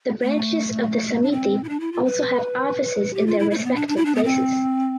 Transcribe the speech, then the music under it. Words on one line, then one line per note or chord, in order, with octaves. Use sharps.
The branches of the "samiti" also have offices in their respective places.
A3
D4
C4
E4
D4
E4
F4
B4
G4
F4
E4
E4
A3
B3
D4
D4
E4
D4
B3
C4